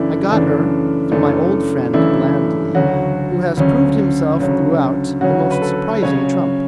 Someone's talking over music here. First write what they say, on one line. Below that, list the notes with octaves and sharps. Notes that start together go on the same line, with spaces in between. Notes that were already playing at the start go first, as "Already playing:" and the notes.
I got her through my old friend, Blandly, who has proved himself throughout the most surprising trump.
Already playing: F#2 C#3 E3 A3 D4 E4
F#2 C#3 E3 A3 D4
F#2 C#3 E3 A3 D4
F#2 C#3 E3 A3 D4 E4
D2 C#3 F#3 C#4 F#4
D2 C#3 F#3 C#4
D2 C#3 F#3 C#4
D2 C#3 F#3 C#4 F#4
B4
A4
C#3 F#3 C#4 C#5